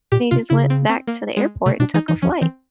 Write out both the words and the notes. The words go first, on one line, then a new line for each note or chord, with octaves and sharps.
he just went back to the airport and took a flight,
A#2 G4
C3 F4
C#3 E4
C4
C4
A#3
G#3
C3 A3
B2 D4
E3 D#4
E3 D#4
F3 C#4
E3 C4